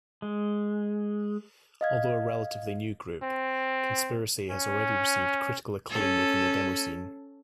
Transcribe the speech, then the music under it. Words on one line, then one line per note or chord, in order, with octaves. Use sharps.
Although a relatively new group, Conspiracy has already received critical acclaim within the demoscene.
G#3
D#5 F5 G#6
C4
C#4
C#4 A4